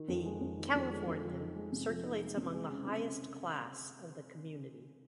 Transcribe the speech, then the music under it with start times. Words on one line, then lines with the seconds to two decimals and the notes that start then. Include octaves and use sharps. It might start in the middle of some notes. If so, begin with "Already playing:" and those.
The “Californian” circulates among the highest class of the community.
Already playing: D#3
0.08 F2
0.25 G#3
0.41 F2
0.58 D#3
0.74 F2
0.91 G#3
1.07 F2
1.24 F3
1.40 D#4
1.56 G#3
1.72 C3
1.89 F3
2.05 D#4
2.21 G#3
2.37 C3
2.54 G#3
2.70 C#3
2.87 C4